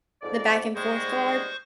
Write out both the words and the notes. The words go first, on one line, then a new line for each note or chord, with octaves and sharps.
The back-and-forth guard.
F2 G#2 D5
G#2 G3 G#3 C5 C#6